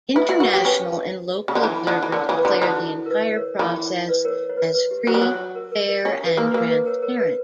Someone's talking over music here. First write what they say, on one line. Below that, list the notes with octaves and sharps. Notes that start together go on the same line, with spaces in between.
International and local observers declared the entire process as free, fair, and transparent.
E4 B4 D5
E4 D5
F#4 A#4 C#5
G4 C#5
C#4 B4
C#3
D3
E3
D3
E3
D3 A#4 C#5
E3 C#5
B4
D3
D3 E4
F#4
E4
A#4
B4
D5
A#4 C#5
E3 A#4 C#5
B4 D5
A#4 C#5
C#5
B4
B4
G4
F#3
G3
F#3
A#4
A#4
A#4
C#4 G4
B4
A#3 A#4
A#3 A#4
B4
A#4 C#5
A#4 C#5
B4